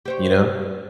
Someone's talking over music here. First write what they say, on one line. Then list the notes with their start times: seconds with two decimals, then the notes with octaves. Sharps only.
you know?
0.05 G4 C5 C#5